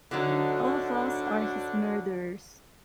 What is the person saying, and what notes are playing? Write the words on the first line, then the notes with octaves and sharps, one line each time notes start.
All of us are his murderers...
D2 D3 F#3 D4 D#4